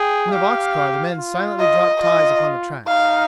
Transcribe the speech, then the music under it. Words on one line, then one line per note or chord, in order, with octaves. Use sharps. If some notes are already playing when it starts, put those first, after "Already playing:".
In the box-car the men silently dropped ties upon the tracks.
Already playing: G#4 G5
G4 F5
F4
D#5
F4 D#5
D#4 F5